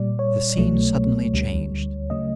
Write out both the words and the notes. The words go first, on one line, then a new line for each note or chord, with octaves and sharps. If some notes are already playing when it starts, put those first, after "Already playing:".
The scene suddenly changed.
Already playing: A#2 G3 D5
C#5
C2 B2 F#3 A3
D2 D3 G3
C#3 F#3 A3 D#5